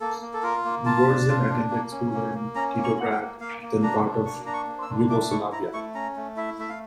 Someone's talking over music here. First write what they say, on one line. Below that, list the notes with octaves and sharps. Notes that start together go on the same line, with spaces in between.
Burzan attended school in Titograd, then part of Yugoslavia.
A#3 A4
A#3
A4
F4 A#4
A#3
F4 A5
D4
F4
D4
A#3
C#4
A#3
A#3
C#4 A#5
A#3
C#6
A#3
G5
A#3
A#3 F5
A#3
D4 A#5
D4
A#3 C#6
D4 A#5
C#6
A#3
E6
D4
A3 D6
E4 C#6
E4 A#5
A3 C#6
C#4 A#5
A3
E4 E5
A3 E5
F5